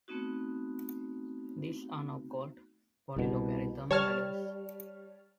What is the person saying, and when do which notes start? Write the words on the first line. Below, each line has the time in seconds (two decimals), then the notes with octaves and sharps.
These are now called polylogarithm ladders.
0.08 A3 B3 C4 D#4 F#4
3.16 C2 B2
3.91 G3 C#5 A5 F6